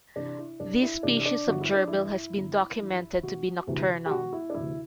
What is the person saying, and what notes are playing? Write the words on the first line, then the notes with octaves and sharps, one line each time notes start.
This species of gerbil has been documented to be nocturnal.
C3 E3 D4
E4
C2 D4
E4
C3 E3 D4
D4
G1 F#4
E4
D4
G2 E3 E4
G1
G2 E3
E1 F#4
D2 C3 E3
G4
E1 F#4
E4
D4
D2 C3 E3 E4